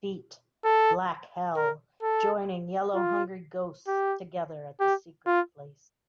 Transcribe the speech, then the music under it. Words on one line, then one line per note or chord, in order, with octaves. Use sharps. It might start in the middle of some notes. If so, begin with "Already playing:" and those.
Feet: black-hell, joining yellow-hungry-ghosts together at the secret place.
A4
A#4
A4
F4
G4
G4
F4